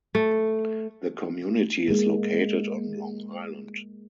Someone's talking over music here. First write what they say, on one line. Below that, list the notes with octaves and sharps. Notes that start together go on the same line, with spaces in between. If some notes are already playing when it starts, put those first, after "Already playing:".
The community is located on Long Island.
A3
G#3 A#3